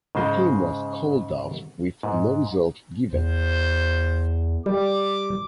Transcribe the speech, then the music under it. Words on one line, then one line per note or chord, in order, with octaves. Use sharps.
The game was called off with no result given.
G#2 C#3 G#3 C5 D#5 G5
G#2
E2 C5
G3 D6